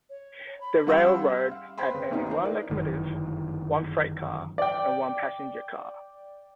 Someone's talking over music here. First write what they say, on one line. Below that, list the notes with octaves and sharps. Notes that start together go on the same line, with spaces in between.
The railroad had only one locomotive, one freight car, and one passenger car.
C#5
B5
G3 C#4 F5 F#5 C6 E6
F5
C5 G5 B5 C6
C#3 B4
A1 D#2 D#3 B3 C#4 D#4
E3 C5
A#4 D5
G1 F#2 D#3 E3
D5 G5